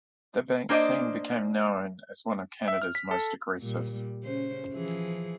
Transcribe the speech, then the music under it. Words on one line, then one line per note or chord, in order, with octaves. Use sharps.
The bank soon became known as one of Canada's most aggressive.
A#3 D4 C5 D5 D#5
E5
F6
B6
A4
A#2 G3
C#3 C#4 C5
E3 F3 G#4